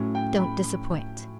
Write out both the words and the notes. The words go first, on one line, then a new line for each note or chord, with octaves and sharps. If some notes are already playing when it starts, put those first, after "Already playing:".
Don't disappoint.
Already playing: A2 F#3 C#4
G5
B5